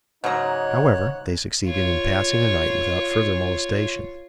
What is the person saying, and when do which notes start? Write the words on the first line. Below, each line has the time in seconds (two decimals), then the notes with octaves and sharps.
However, they succeeded in passing the night without further molestation.
0.24 G#2 C#3 F#3 D#4 C#5 A#5 F#6
1.66 F4 C#5